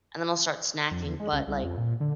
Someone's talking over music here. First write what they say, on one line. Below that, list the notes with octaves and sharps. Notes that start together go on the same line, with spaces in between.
and then I'll start snacking, but, like,
F2
E2
G#3
C#2
C2
F2
A#2
D3